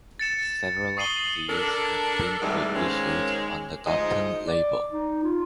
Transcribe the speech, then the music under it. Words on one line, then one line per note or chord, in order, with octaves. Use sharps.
Several of these have been reissued on the Dutton label.
A6 C#7 E7
C#6 D#6 C7 D#7 F#7 G7
D4 A4 A#4
G#2 C3 D#3 E3 G3 A3
D#3 G#3 A#3 C4 C#4
D2 G#2 F3 D#5
D5
D#4
F4